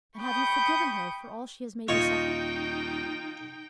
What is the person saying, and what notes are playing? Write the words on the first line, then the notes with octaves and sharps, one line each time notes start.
"And have you forgiven her for all she has made you suffer?"
G5 B5 C#6 D#6 G6
D#2 A#2 D#4 F4 C#5 D#5 G5